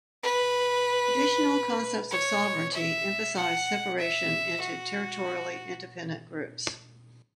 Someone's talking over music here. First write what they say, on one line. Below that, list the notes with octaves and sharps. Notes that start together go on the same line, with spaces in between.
Traditional concepts of sovereignty emphasize separation into territorially independent groups.
B4
C#5
E5
F#5
E5
F#4